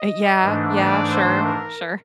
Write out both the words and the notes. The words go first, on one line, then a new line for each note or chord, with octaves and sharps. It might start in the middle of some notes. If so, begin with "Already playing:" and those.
Eh, yeah, yeah. Sure, sure.
Already playing: D#5
G#2 E3 A3 D4
D5
C5
A#4